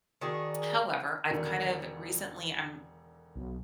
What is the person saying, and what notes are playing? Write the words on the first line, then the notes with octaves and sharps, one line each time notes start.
however, I've, kind of, recently I'm
D#3 D4 F#4 G#4
E1 D3 D#3
B1